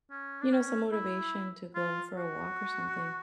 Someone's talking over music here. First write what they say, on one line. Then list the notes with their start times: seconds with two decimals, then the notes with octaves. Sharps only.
you know, some motivation to go for a walk or something.
0.11 C#4
0.41 D4
0.52 C#4
0.92 E4
1.75 F4
2.16 F#4